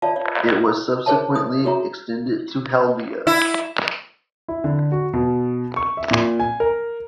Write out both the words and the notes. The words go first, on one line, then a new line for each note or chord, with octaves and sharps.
It was subsequently extended to Haldia.
F4 C#5 D5 E5 F5 A5
C#5 D5 F5
G#4 A#4 C5 C#5 E5 A5
E4 A4 D#6
F#4 G#4 C#5 E5 A#5
E4
E4
D3
F#4
B2
C#6
E5
A#2
G#5
A#4